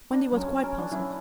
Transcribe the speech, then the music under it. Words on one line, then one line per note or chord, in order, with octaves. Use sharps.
Wendy was quite puzzled.
D4
F#3 C#4
C#4
D4
F#3 C#4 E4